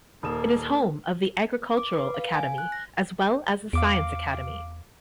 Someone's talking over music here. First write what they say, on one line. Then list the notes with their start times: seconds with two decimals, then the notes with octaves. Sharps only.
It is home of the Agriculture Academy as well as the Science Academy.
0.23 D#1 A#3 D#6 E7
1.77 D6
1.94 B4
2.14 F5
2.34 G#5
2.58 F#6
2.72 A#6
3.73 E2 F5 D6 D7